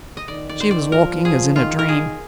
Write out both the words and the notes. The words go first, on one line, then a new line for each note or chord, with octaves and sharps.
She was walking as in a dream.
D#5
D#3 D5
D5
C5
D5
F3 A#4
G#4
D#3 F4
A#4
G#4